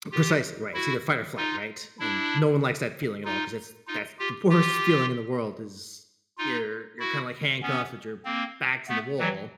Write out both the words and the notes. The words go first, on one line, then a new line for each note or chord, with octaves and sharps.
Precisely, right. It's either fight or flight, right? And no one likes that feeling at all, 'cause it's that's the worst feeling in the world is you're you're kinda like handcuffed with your back to the wall.
F4 G4
E4 F#4
D#4 F4
D4 E4
D#4 F4
D#4 F4
F4 G4
F4 G4
D#4 F4
E4 F#4
B3 C#4
A#3 C4
A3 B3
E3 F#3